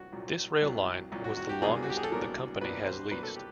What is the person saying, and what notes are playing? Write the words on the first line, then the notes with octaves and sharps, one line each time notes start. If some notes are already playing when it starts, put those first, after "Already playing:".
This rail line was the longest the company has leased.
Already playing: C2 F#3 F#4
C2 A#2 F#3
C2 A#2 F#3
C2 A#2 F#3
F#4
F#4
G4
C2 B2 F#3 A#3 D4 G#4
F#4
G4
G#4
A4
C2 B2 F#3 A#3 D4 A#4
C2 B2 F#3 A#3 D4 B4
C5
C2 B2 F#3 A#3 D4 B4
A4
G4